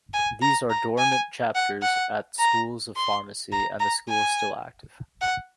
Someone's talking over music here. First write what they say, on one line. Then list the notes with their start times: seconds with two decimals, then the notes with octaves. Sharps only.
These are dormant chapters at schools of pharmacy, and the school is still active.
0.14 G#5
0.42 A#5
0.70 A#5
0.98 G#5
1.55 F#5
1.82 F#5
2.39 A#5
2.96 C6
3.52 A#5
3.80 A#5
4.09 G#5
5.22 F#5